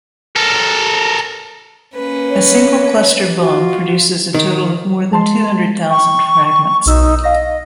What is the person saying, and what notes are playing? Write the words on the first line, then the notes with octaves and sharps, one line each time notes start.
A single cluster bomb produces a total of more than two hundred thousand fragments.
A4 A#4
A#3 C#4 B4
C#5
F4 F#4
D#3
G#3 A5 C6
G5 C#6
B1 D#4 E6
D#5 F5 A#6